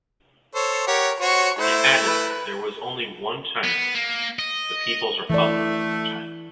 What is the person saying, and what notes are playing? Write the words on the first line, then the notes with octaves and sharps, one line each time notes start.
It added, there was only one China, the People's Republic of China.
A4 C5 C#5
G4 A#4 C#5 F#5
F#4 C5 C#5 C#6
A3 E4 C5
B4
B3
A#3
D#5
E3 A3 D5